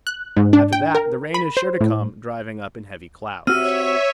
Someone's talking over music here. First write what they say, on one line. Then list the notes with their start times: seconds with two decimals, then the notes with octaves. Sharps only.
After that the rain is sure to come driving up in heavy clouds.
0.07 F#6
0.37 G#2
0.53 D4
0.73 G5
0.95 A#4
1.34 B5
1.57 C5
1.81 A2
3.47 C4 F#4 G4 C#5 E5 E6 F6 D#7